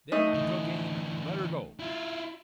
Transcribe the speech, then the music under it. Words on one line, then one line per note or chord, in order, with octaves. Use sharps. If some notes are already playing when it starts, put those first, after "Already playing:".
Then I took aim an' let her go.
A3 D#4
D3 E3
E4 F4